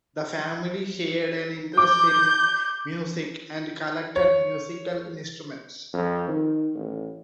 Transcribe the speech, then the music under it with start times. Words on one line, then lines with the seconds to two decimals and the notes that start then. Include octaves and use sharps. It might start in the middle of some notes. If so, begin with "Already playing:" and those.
The family shared an interest in music and collected musical instruments.
1.77 D6 G6
4.16 C#5
5.93 F2
6.28 D#3
6.74 A1